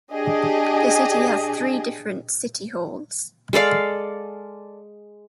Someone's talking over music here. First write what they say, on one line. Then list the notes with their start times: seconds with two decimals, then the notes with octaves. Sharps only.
The city has three different City Halls.
0.12 D4 G4 G#4 D#5
3.53 G#3 A4 D5 F5